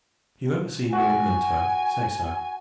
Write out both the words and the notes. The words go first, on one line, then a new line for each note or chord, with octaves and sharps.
If you ever see Lord Minto, say so.
F#4 G#5